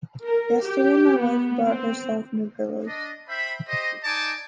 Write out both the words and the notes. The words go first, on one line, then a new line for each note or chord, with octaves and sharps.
Yesterday my wife bought herself new pillows.
A#4
G4
B3
C4
D4 D#5
C5 E5 G5 B5
G4 C5 D#5
D#4 D5 G#5 A5 D6